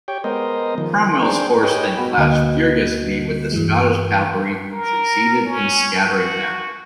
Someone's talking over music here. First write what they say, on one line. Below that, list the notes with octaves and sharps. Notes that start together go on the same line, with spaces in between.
Cromwell's horse then clashed furiously with the Scottish cavalry and succeeded in scattering them.
G4 C#5 G5
G#3 B3 A#4 C5 D#5
D#3 F3
D4 G#4 C5 G5
G4 G#4 B4 C#5 D#5 G5
B2 F#4 B5
D2 D3 A#3 D#5
G2 E3 G#3
A#4
C#4
F#4